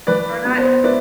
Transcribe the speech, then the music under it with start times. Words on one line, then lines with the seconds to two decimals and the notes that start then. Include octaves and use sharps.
Or not
0.07 E3 B4 D5
0.45 B3
0.58 C5
0.83 E4 B4 D5